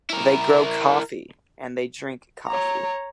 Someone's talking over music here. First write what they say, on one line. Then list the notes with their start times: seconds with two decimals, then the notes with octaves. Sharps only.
They grow coffee and they drink coffee.
0.10 E4 A#4
2.48 C#5 A#5